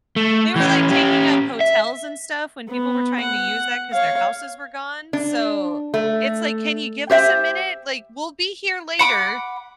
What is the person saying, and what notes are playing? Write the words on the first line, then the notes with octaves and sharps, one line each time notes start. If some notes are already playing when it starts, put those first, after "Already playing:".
They were, like, taking up hotels and stuff when people were trying to use that 'cause their houses were gone, so it's like, can you give us a minute? Like, we'll be here later,
A3
E3 C#4
C#4 G4
E5
B3
F#5
C#5 F5
D4
A3
G4 C5 E5 G5
F#5 B5 D6